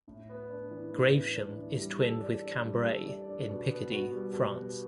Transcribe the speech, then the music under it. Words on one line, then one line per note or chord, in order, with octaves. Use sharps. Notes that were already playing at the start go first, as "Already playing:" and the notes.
Gravesham is twinned with Cambrai in Picardy, France.
A2
B3
D4
E3
A2
B3
D4
E3
G3
A4
D5
D4
G3
A4
D5
D4
B2
B3
F#4
G3
B2
B3